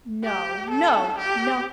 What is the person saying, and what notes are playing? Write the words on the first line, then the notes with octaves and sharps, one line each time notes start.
No, no, no!
G4
A4
G4